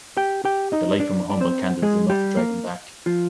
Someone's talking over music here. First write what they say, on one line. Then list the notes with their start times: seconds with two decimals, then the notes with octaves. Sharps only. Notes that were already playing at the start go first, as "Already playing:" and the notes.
The light from a humble candle is enough to drive him back.
0.17 G4 G5
0.45 G4 G5
0.72 D#4 D#5
0.99 D4 D5
1.30 D5
1.41 C4 C5
1.82 G#3 G#4
2.10 G3 G4
2.37 A#3
3.06 F3 F4